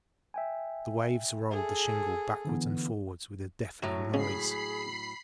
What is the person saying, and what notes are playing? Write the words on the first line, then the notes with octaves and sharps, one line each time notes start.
The waves rolled the shingle backwards and forwards with a deafening noise.
E5 G5 G#5
G#4 A4
D3 E3 B3
A2 F#3 E4 C#5
C#3 G#3 C#4 G#4 B5 C7